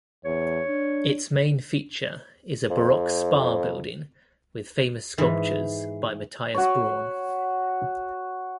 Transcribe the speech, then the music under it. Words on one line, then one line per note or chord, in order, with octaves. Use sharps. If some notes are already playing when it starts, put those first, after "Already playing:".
Its main feature is a baroque spa building with famous sculptures by Matthias Braun.
E2 C#5
D4
F2
G#2 E3
F#4 C#5